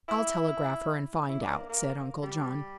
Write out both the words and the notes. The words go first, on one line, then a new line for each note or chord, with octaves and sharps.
"I'll telegraph her, and find out," said Uncle John.
E4
E4
D4
A#3
A#3
G3